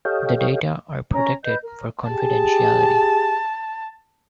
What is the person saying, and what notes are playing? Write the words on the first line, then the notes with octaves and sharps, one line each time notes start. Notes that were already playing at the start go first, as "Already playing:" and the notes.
The data are protected for confidentiality.
G4 A4 C#5 D#5 F5 G5
C#4 C#5 A#5
B4 D#5 G6
A#4
G4 G#4 A5